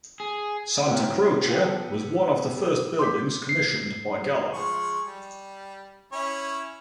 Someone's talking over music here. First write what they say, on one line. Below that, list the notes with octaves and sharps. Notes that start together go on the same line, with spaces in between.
Santa Croce was one of the first buildings commissioned by Galla.
G#4
C4 C#4 E4 F#4 G4 A#4
B3 F4 G4 A4
C6 D6 G6 B6
C7
F3 G#3 C#6
G3
C#4 E4 C#5